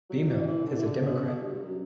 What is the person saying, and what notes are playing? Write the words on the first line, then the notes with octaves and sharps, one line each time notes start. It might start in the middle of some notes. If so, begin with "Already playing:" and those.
Beimel is a Democrat.
F#3
E3
E3
D3
E3
D3
B2
B2
G2
G2
F#2